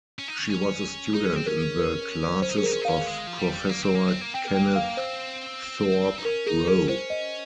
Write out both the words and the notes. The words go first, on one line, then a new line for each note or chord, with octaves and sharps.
She was a student in the classes of Professor Kenneth Thorpe Rowe.
C#4
D#4
C#4
C#4
D#4 G#4
C#4
C4
C#4 A#4
A#4
C#4 C5
D#4
C#4 G#4
D#4 A#4
C#4
D#4
C#4 F5
G#3
F3
G3
A#3
C4
A#3
C4
A#3
C4 G5
A#3
G5
F5
C4 C5
D#4
C#4 A#4
D#4 G#4
C#4 A#4
C#4 C5
D#5